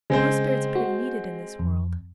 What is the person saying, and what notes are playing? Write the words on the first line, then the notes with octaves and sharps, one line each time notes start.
Most spirits appear to need it in this world.
C#3 G#3 C4 C5
F#4
F2